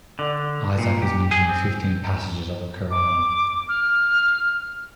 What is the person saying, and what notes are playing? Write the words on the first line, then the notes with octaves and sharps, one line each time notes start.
Isaac is mentioned in fifteen passages of the Qur'an.
D3
A#2
G4
G#4
C4
D6
F6